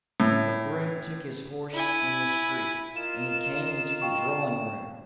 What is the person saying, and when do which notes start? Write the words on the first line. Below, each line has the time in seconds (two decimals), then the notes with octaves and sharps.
The groom took his horse in the street, and he came into the drawing-room.
0.20 A2
1.73 E4 G#5
2.96 F4 A#4 D#5 E7
4.01 F5 G5 C#6